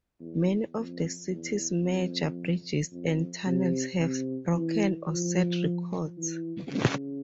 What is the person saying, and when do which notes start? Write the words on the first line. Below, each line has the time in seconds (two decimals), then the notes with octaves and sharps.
Many of the city's major bridges and tunnels have broken or set records.
0.20 E2
0.75 F2
1.29 E2
1.83 F2
2.92 F2
3.46 C3
4.00 C3
4.55 E3
5.09 F3
6.18 E3
6.72 C#3